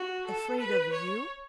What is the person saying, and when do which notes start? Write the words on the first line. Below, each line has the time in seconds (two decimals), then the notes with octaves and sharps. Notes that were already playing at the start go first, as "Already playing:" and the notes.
Afraid of you?
Already playing: F#4
0.26 A4
0.59 B4
0.92 C#5